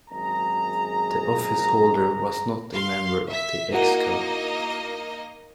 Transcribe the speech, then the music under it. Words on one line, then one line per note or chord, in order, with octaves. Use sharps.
The office holder was not a member of the ExCo.
G#1 F#2 G#4 A#5
F5 C6
E5 B6
A#3 D#4 E4 F#4 A#4 D#5